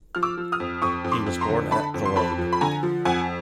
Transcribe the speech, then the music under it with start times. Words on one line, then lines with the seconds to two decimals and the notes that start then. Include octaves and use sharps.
He was born at Cologne.
0.15 F3 F6
0.23 D6 E6
0.37 F3
0.52 D#6 F6
0.60 F2
0.82 F2 C#6 D#6
1.04 F2
1.11 C6 D6
1.26 F2
1.41 A#5 C6
1.49 D3
1.71 D3 A5 B5
1.94 F2
2.05 C6
2.16 F2 A5 B5
2.38 F3
2.53 B5
2.61 D3 G#5 A#5
2.83 F3
3.05 F2 F#5 G#5